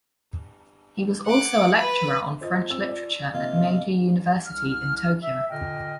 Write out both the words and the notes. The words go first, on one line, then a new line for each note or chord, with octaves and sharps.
He was also a lecturer on French literature at Meiji University in Tokyo.
F#5 D6
B4 B5
F4 C5 D#5
C4 E6
D5
C3 A#3 F4 D#5
C2 F6
E5
A#2 D3 D#5 G5 F6